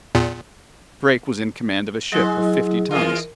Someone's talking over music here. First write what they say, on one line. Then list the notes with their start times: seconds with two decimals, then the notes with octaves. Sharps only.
Drake was in command of a ship of fifty tons.
0.15 E2 A#2
2.12 F#3 G#3 E4
2.91 E3 G#3 F4 A#4